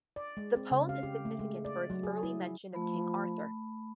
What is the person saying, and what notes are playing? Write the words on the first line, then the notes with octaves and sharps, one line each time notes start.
The poem is significant for its early mention of King Arthur.
D5
G#3
C4
C#3
F5
G4
A3
G#3
D5
F#3
G#4
E4
F3 A3 B5